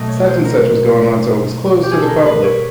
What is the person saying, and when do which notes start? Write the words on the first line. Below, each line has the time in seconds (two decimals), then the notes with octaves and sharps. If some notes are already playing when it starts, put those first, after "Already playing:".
such and such was going on, so it was closed to the public."
Already playing: B2 F#3 A3 D#5
0.09 C#5
0.27 C5
0.45 A#4
1.83 G4
1.91 G#4
2.00 A4
2.08 A#4
2.26 B4
2.44 C#5